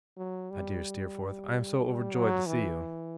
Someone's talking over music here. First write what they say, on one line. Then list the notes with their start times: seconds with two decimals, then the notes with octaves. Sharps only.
My dear Steerforth, I am so overjoyed to see you!'
0.17 F#3
0.50 G3
2.14 F#3
2.46 E3